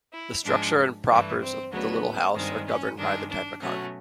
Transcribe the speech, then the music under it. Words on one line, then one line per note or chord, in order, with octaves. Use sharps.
The structure and propers of the Little Hours are governed by the Typicon.
E4
G#2 F3 G#3 D4
G2 E3 A3
C4
D2 C#3 F#3 B3
G2 D#3 G#3 C4
C#4
G2 D#3 G#3 D4
D4
B2 F#3 A3 C#4